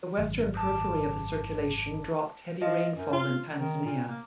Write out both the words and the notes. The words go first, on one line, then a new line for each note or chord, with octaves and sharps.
The western periphery of the circulation dropped heavy rainfall in Tanzania.
G#1 F#2 D#3
A5 D6
F3 D#5
F#2
F4
D#3
A#2
A#3